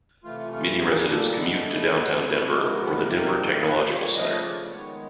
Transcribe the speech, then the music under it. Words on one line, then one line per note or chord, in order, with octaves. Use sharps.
Many residents commute to Downtown Denver or the Denver Technological Center.
C3 E3 A3 F4
F4
A#2 G3 A#3 G#4
A4
C#3 E3 G#3 B3
A4
A4
B2 G#3 B3 A4
C3 F3 G#3 B3
A#4
B4
C3 D#3 G3 A#3 A#4
A#4
A4
A#2 G3 A#3 B4
C5
C#5
C#3 F3 A3 D#5
D5
D5
D#3 G#3 B3 C#5